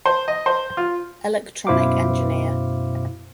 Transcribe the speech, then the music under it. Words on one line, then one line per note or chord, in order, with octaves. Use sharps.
Electronic engineer.
C5
D#5
C5
F4
F#2 B2 E4 C5 F5 D6